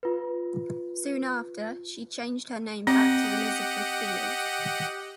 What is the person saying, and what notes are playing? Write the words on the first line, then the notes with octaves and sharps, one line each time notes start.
Soon after she changed her name back to Elizabeth Field.
F4 B4
C4 G4 D#5 F#5